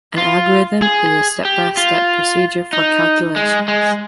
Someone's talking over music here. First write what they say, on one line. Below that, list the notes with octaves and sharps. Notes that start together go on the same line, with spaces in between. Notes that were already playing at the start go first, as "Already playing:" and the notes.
An algorithm is a step-by-step procedure for calculations.
F4
G#4
G4
F4
D#4
G#3
G#3